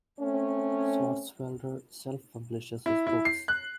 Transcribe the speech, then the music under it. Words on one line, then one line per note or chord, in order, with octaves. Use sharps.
Swartzwelder self-publishes his books.
A3 C4 C#4
E4
E4
C7
F#6